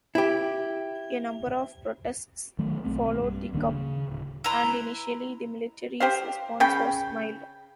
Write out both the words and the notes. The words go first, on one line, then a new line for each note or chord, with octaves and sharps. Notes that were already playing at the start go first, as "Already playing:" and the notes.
A number of protests followed the coup, and initially the military's response was mild.
E4 G4
D#3 F#3 A3
B1 A3 C4
G2
D1 D#3 A#3 D4
C#3
D1
E4 B4 A#5 C6
G4 C5 F5
C#3 G5 B5